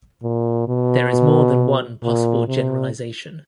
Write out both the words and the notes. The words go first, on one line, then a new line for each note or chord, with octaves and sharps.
There is more than one possible generalization.
A#2
B2
A#2
C3